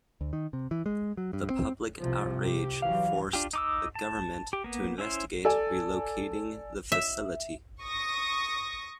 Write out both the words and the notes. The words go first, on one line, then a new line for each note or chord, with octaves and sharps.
The public outrage forced the government to investigate relocating the facility.
D2
D#3
C3
E3
G#3
F#3
G2
C4
C2 C3 F3
G4
E3 F#3 F5
D4 F4 G4
D#4 D6 E6
A5
G4
A#3 B3
C#4 E4 C5
A4 D5 G#5 A5
E5
C#6 D#6 A#6